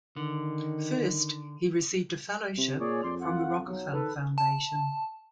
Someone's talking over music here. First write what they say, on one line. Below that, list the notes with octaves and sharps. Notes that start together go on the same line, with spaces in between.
First, he received a Fellowship from the Rockefeller Foundation.
D3 D#3
C3
A#2 G#4 C#5 D5
F2 D5 C6
F4 F#5
B1 F#3
D#3 A4 B4
A5